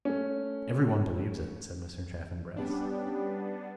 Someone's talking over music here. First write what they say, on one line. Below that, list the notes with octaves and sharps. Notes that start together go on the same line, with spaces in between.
"Every one believes it," said Mr. Chaffanbrass.
A3 C#4
G3 B3 C#4 D4 G4